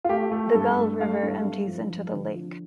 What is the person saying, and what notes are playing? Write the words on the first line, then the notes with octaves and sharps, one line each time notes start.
The Gull River empties into the lake.
F4
A3 G4
A3
G2 A4
A3
A3 F5
G2
G2
F3
F3
D3
F3